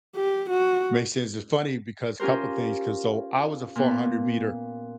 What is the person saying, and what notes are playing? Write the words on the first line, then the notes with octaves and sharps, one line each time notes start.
Makes sense. It's funny because- a couple things- 'cause so I was a four-hundred-meter
G4
F#4
C#4 F4 G4 A#4 C5
A#2 B3